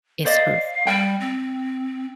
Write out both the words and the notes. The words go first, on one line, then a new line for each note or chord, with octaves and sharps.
It's her fault.
C5 D5 D#5 F5
G3 G5
C4